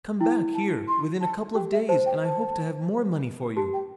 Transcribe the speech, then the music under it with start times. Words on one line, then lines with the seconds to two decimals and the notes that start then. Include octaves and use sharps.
Come back here within a couple of days and I hope to have more money for you!
0.21 E4 G5
0.54 A5
0.88 C6
1.21 A5
1.55 G4 G5
1.72 E5
1.89 C5 A5
2.06 G5
2.23 A5
3.56 G4 A5
3.73 G5